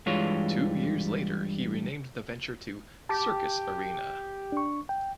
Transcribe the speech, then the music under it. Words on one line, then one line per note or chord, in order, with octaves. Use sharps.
Two years later he renamed the venture to Circus Arena.
G2 E3 G3 G#3 F4 C#5
G4 A5 D6
D4 C#6
G5